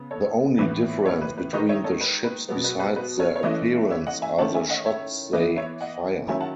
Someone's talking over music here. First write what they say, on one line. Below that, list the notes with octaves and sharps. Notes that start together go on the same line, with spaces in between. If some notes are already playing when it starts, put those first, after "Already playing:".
The only difference between the ships besides their appearance are the shots they fire.
Already playing: C#3 B3
A4 C#5
A2 E3 B3 E4 B4
A4 C#5
B4
B4
D#3 G#3 D#4 B4 D#5
C#5 E5
A4 C#5
B4
B4
B2 F#3 B3
B4
B4
B4
A4 C#5
C#5
E3 A3 C#4 E4 B4 D#5
C#5 E5
D#5 F#5
E5 G#5
D#3 A3 C#4 E4 F#5 A5
E5 G#5
D#5 F#5
C#5 E5
E3 B3 E4 B4 D#5
C#5 E5
D#5 F#5
D#3 F#3 C#4 E4 E5 G#5
F#5 A5